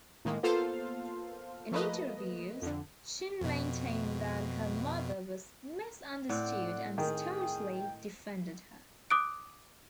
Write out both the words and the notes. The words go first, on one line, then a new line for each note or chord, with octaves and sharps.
In interviews, Chin maintained that her mother was misunderstood and staunchly defended her.
A2 D#3 G#3 A#3
A#3 B3 F4 A4 C5 F5
F3 A3 A#3 B4 D#5
F2 D3
F2 B2
A2 C4 D5 F#5
D#3 G#4 G5
D6 D#6 F#6 D7